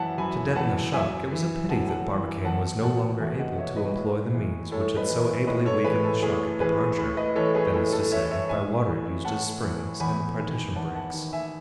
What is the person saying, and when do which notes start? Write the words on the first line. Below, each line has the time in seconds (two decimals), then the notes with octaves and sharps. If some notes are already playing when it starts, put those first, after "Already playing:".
To deaden the shock, it was a pity that Barbicane was no longer able to employ the means which had so ably weakened the shock at departure, that is to say, by water used as springs and the partition breaks.
Already playing: F#2 E3 E5 F#5 A5
0.18 F#2 G#5 B5
0.56 E3 F#5 A5
0.93 F#2 E5 G#5
1.31 E3
1.69 F#2 F#5 A5
1.87 F#5 A5
2.07 E3
2.44 E2 F#5 A5
2.83 B2 F#5 A5
3.20 E2 E5 G#5
3.39 D#5 F#5
3.58 B2 C#5 E5
3.76 B4 D#5
3.96 A2
4.34 E3
4.71 A2 A4 C#5
4.96 B4 D#5
5.09 E3
5.47 A2 B4 D#5
5.66 A4 C#5
5.84 E3 G#4 B4
6.04 A4
6.22 A2 G#4
6.60 E3 G#4 B4
6.98 A2
7.17 B4 D#5
7.36 E3 A4 C#5
7.55 G#4 B4
7.74 A2 A4
7.92 A4
8.12 E3 C#5 E5
8.31 C#5 E5
8.49 A2 E5 G#5
8.87 E3
9.25 A2 F#5 A5
9.62 E3
10.00 E2 G#5 B5
10.38 D#3 G#5 B5
10.75 E2 F#5 A5
10.95 F#5 A5
11.14 D#3
11.33 E5 G#5